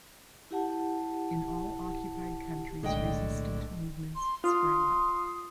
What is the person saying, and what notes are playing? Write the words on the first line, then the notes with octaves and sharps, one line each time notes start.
In all occupied countries resistance movements sprang up.
E4 G4 F#5 A5
B1 A2 D3 G#3 D4 G#4 D#5 G5
C6
F4 C6 D#6